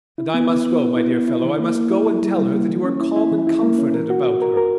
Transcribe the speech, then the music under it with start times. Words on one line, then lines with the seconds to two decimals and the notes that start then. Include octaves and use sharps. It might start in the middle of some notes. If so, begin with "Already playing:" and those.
And I must go, my dear fellow, I must go and tell her that you are calm and comforted about her.
0.18 E4
0.34 B3
0.50 B3
0.65 B3
0.81 B4
0.96 E4
1.12 B3
1.28 E4
1.44 E3
1.59 A#3
1.75 A#3
1.91 E4
2.06 E4
2.22 G3
2.38 G3
2.53 A#3
2.69 E3
2.85 C#4
3.00 E4
3.16 E4
3.32 E3
3.47 E4
3.63 A#3
3.78 C#4
3.94 A#4
4.10 F#4
4.25 F#4
4.42 A#4
4.57 A#4